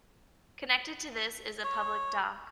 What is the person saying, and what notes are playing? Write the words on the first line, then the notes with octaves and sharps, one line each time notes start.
Connected to this is a public dock.
C#5